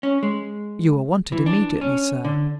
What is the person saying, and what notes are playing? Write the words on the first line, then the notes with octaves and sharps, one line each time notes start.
"You are wanted immediately, sir."
C#4
G#3
E3
D4
C#4
D3